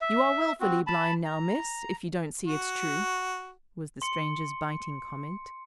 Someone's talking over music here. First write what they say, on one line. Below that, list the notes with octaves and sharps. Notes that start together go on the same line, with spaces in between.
"You are willfully blind now, miss, if you don't see it's true," was the stranger's biting comment.
E5
C4 F#4
A5 B5
A#5
F#4
C6 C#7